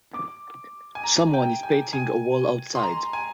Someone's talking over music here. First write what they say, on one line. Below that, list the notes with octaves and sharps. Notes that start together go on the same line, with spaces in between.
Someone is painting a wall outside.
D6
G#5
A#5
G5
G#5
G#5
C6
A#5
G#5